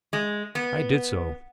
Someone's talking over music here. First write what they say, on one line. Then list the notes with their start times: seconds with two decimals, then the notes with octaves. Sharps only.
I did so.
0.13 G#3
0.55 B3